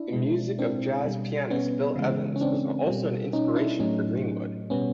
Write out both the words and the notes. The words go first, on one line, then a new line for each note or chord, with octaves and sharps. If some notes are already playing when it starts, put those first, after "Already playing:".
The music of jazz pianist Bill Evans was also an inspiration for Greenwood.
Already playing: D4 E4
B2 G#3
C4 D4
B2 G3
B3 C#4
C#3 E3 G#3
C#4
C4 D4
B2 G3
C#4 D#4
D4 E4
A2 F#3 A3 C#4 D#4
B2 G3 B3 C#4